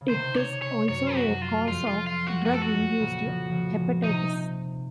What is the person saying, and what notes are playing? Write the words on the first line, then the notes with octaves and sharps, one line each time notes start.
It is also a cause of drug-induced hepatitis.
C#3
C3 D#3 C5
C#5
C#5
F#2 C#5
F#4
F#2
F4
F2 F4
F4
F4
F#4
F#2 F#4
A4
F#4
F2
A#2 C#3
C#3 F3
C#3 F3
A#2 C#3
C3 D#3 D#4